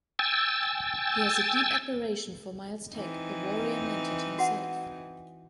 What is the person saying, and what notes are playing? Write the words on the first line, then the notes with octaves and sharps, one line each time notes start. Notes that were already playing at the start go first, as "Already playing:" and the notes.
He has a deep admiration for Miles Teg, a warrior-Mentat himself.
G5 G#5 E6 A6
E3 C4 D#4
F#4 F#5